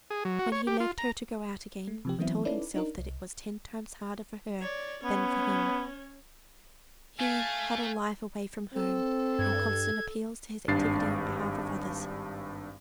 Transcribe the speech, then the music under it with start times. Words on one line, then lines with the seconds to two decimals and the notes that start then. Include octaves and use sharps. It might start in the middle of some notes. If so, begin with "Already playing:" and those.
When he left her to go out again, he told himself that it was ten times harder for her than for him: he had a life away from home, and constant appeals to his activity on behalf of others.
0.10 G#4
0.25 F#3
0.39 F#4
0.52 C#5
0.67 G4
0.80 F4
0.98 A#5
1.87 A3
2.05 C3 F3 G4
2.19 E3 F#3 B3 C4 E4
2.45 C#4 D#4 E4 A4 B4 D5
2.74 D4 D#4 A#4
2.98 C2
4.62 C#5 D5
5.04 B3 C#4 C#5
7.20 A3 F5 G#5
8.74 C4 A4
9.39 G2 G#6
10.68 G#1 G2 D4 A6 C7